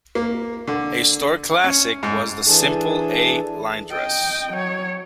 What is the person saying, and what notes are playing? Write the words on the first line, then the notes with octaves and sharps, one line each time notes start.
A store classic was the simple A-line dress.
A#3
D3
C#4
G#2
E3 D4 G#4 A4
D#5 G5
F#3 C#5